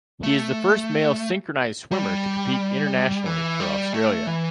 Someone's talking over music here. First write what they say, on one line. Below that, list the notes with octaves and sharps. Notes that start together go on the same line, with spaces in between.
He is the first male synchronised swimmer to compete internationally for Australia.
A3
G3
E3
G3
A3
E3